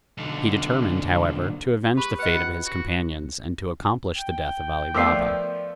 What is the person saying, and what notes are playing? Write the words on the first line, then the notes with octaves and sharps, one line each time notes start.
He determined, however, to avenge the fate of his companions, and to accomplish the death of Ali Baba.
B1 D3
G4 B4 B5 D6
B4 D#5 F#5
C#4 F4
F#4
G5
F3 A3 B3 A#4 D5 D6 E6 C7